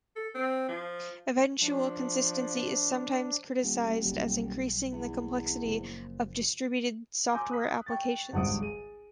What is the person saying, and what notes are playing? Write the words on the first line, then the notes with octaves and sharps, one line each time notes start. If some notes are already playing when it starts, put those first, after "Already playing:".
Eventual consistency is sometimes criticized as increasing the complexity of distributed software applications.
A4
C4
F3
F3 D4
D#1
B1 G3
E2
F#1 A#2 F3
G#5 A#5 C6 D6 E6 G6
D#6 F#6 B6
G5 C#6 A6
G#1 C#2 G2 F#5 D#6 D7
G#4 D#7